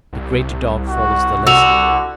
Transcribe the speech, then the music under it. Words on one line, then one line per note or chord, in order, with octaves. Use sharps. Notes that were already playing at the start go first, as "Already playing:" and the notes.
The Greater Dog follows the Lesser.
C2
F#4
D3 F#4 E6 F7